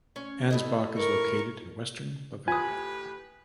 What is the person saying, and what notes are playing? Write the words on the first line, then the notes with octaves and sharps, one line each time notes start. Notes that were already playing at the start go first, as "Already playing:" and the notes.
Ansbach is located in western Bavaria.
C#4
A2 D#5
A#4 C#6
A2 F4 G4 B4 G#5 D#6